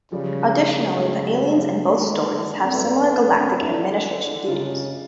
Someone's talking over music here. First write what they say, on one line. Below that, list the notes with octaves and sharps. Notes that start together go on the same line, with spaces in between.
Additionally, the aliens in both stories have similar galactic administration duties.
C#3 F3 G3
A3
F#3 G#3
G3 A3
G3 A3
D#3 G#3 A#3
D3
C4
A3 B3
B3 C#4
C#4
C4 D4
D4 E4
C#3 D#4 F4